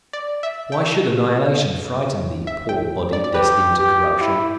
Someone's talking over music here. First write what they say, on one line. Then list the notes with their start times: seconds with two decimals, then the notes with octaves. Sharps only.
Why should annihilation frighten thee, poor body, destined to corruption?
0.13 D5
0.43 E5
0.72 G5
2.47 E5
2.69 G5
3.13 D5
3.24 D5
3.34 G4 B4
3.79 G4
4.21 E4